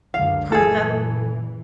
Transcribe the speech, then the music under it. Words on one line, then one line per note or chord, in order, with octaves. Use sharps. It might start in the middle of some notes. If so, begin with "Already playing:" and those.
For that long
C#2 F#2 D3 F5
F#1 A#2 E3 G#4 A4